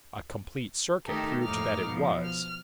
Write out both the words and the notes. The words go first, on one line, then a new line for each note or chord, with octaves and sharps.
A complete circuit proved that it was.
D#3 A3 D#4 G4 A4
F2 A2 A#3 D#4 D6 F6
B2 F3
F6